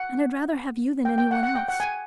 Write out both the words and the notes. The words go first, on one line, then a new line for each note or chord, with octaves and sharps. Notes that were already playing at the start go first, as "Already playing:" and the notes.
And I'd rather have you than any one else.
Already playing: F#5
G5
G5
F#5
F#5
G5
F#5
G#5